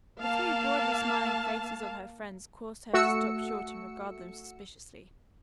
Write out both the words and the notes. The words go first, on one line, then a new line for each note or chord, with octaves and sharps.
The three broadly smiling faces of her friends caused her to stop short and regard them suspiciously.
A#3 F5 A5
A3 F#4 E6 C#7